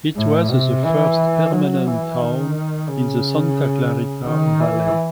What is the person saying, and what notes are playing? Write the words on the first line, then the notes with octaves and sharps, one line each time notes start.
It was the first permanent town in the Santa Clarita Valley.
A2
C3
E3
F#3
E3
D#3
C#3
D#3
E3